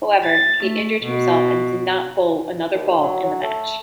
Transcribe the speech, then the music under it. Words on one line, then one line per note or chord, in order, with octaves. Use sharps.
However, he injured himself and did not bowl another ball in the match.
A6
A3
B2
D#2
F#3
F#3
A3